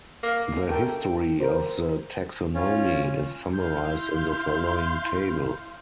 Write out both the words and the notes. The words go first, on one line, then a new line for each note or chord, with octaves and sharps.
The history of the taxonomy is summarised in the following table.
A#3
A4 A#4 G5
A#4 C5
C#4 F4
E4 F5 C6 G6